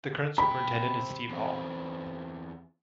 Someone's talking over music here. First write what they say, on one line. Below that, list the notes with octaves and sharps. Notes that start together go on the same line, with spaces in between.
The current superintendent is Steve Hall.
C3 G5 B5
E2 C4